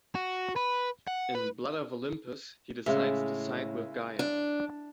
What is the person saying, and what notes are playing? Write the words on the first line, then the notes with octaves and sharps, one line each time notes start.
In Blood of Olympus he decides to side with Gaia.
F#4
B4
F#5
B4
A2 C#3 G#3 E5
D4